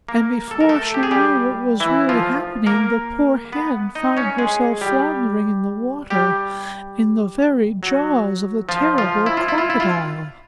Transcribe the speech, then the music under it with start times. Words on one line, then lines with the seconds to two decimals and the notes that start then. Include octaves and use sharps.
And before she knew what was really happening the poor Hen found herself floundering in the water in the very jaws of the terrible Crocodile.
0.09 A#3 A#4
0.51 A4
0.60 A#4
0.69 A3 A4
0.94 G4
1.03 G#4
1.11 G3 G4
1.80 E3 E4
2.09 F3 F4
2.66 A#3 A#4
3.52 B3 B4
3.95 D#4 D#5
4.17 C#4 C#5
4.38 G#3 G#4
4.81 G3 G4
6.10 G3 G4
7.83 F#3 F#4
8.69 F3 F4
8.98 F3 F4
9.26 E4
9.37 F4
9.48 E4
9.58 F4
9.70 E4
9.80 F4